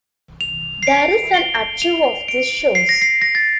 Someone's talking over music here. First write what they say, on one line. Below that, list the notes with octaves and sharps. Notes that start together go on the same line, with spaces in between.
There is an archive of these shows.
F7
C7
D7
G7
F7
D7
C7
A#6
C7
A#6
A6